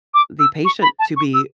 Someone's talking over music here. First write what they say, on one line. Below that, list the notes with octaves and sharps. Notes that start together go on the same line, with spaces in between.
the patient to be
D6
E6
C#6
B5
A5
C#6
E6